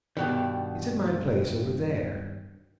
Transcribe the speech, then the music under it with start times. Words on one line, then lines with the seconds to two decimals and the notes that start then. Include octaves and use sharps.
It's at my place over there.'
0.17 G2 B2 D#3